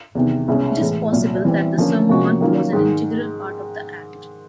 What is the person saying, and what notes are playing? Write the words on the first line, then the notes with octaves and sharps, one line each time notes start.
It is possible that the sermon was an integral part of the act.
E2 C3 D#3
C2 B2 G#3 C#4
A2 E3 G#3
C2 A#2 F#3
E3 G3 C4
D3 F3 A#3 C#4
C3 F3 A#3 C#4 F#4
D#3 F#3 A#3 C#4 F4
G#2 D#3 G#3